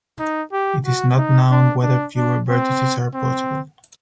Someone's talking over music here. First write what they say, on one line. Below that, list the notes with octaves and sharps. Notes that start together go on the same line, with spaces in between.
It is not known whether fewer vertices are possible.
D#4
G4
F#4
D#4
D4
D4
D4
C4
C4